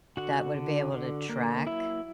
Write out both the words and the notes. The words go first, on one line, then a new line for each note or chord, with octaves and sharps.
that would be able to track,
D3 F#4 F#5
D3
D3
A#3
F#3 E4 E5